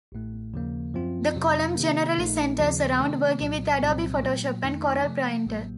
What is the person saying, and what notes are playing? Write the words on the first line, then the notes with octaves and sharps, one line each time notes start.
The column generally centers around working with Adobe Photoshop and Corel Painter.
A1 A2 A3
D#2 C#3 F3 A#3
F#2 F3 C4 F4
F2 C3 F#3
C3 D#3 A#3
A#1 A#2 A3 D#4
D#2 C#3 F3
C3 D#3 A3 C#4
C2 A#2 F#3
C2 A#2 F#3 C4
A#2 F#3 A#3
F2 D#3 A3 D#4
C3 F3 A3
A1 A2 F#3 A#3